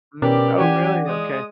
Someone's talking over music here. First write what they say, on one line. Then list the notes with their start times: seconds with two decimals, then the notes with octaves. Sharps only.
Mm, oh, really, okay.
0.22 B2 C#4 G4 A#4 B4 D5
0.59 E3 G4 D5 F#5 G#5 D6
1.06 G#3 D#6